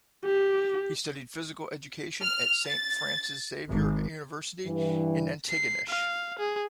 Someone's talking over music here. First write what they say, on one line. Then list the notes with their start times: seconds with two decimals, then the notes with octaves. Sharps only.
He studied physical education at Saint Francis Xavier University in Antigonish.
0.24 G4
2.22 F6
2.66 A6
3.69 G#1
4.66 G2 E3
5.50 C7
5.89 F5
6.38 G#4